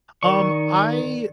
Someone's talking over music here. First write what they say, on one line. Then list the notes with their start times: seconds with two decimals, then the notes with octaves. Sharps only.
Um, I
0.23 D#3 A#4 D5 C#6